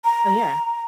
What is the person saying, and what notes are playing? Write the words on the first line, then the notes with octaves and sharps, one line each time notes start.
Oh yeah.
A#5